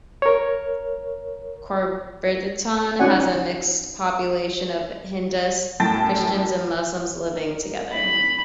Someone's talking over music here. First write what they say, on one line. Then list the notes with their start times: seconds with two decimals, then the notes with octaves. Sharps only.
Corriverton has a mixed population of Hindus, Christians and Muslims living together.
0.22 A#4 C#5
2.99 C#4 D#4 F#4 D5 F#5 G#5
5.80 F#2 A2 G5 A5 A6
7.35 A#4
7.93 B5